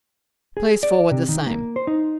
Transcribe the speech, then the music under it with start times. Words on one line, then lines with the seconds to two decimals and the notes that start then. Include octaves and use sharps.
Pleas forward the same.
0.57 G#4
0.83 D5
1.11 C3
1.29 D#3
1.47 A#3
1.76 C5
1.87 D#4